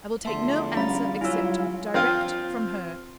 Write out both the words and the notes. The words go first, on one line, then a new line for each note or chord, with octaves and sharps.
I will take no answer except direct from her.
E2 D3 F3 A3 E5 A5 C6
G3 C#4 F5 A#5 B5 A6
F#3 E4 F4 C#5 G#5 E6
F3 C4 F4